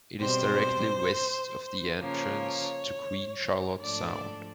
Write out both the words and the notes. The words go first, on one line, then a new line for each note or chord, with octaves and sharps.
It is directly west of the entrance to Queen Charlotte Sound.
B2 G3 C4 C5
C#3 F3 A#3 C#5
G#2 F3 A3 D4 D5